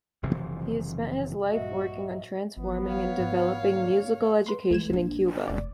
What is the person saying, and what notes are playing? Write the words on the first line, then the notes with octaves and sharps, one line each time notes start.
He has spent his life working on transforming and developing musical education in Cuba.
F#1 C3 E3 F3
A#1 G2 F#4 D#5 E5
G#1 F3 F#3 B3
C#5 F5
G#2
C2 D3 A#3
B4 C6
E3 G#3 A3 G#6 E7
A#1 D4
F1 D5